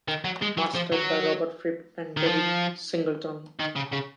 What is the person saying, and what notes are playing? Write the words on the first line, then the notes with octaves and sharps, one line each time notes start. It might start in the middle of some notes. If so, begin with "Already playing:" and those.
Mastered by Robert Fripp and David Singleton.
D#3
F#3
G#3
F#3
F3
F#3
D#3
F3
D#3
C#3
C#3